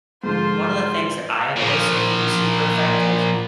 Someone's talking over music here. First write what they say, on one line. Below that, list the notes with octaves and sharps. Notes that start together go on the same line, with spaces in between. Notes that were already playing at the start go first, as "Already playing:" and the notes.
One of the things that I have always seen to be super effective
G#2 D3 F3 F4 C5
A#2 F3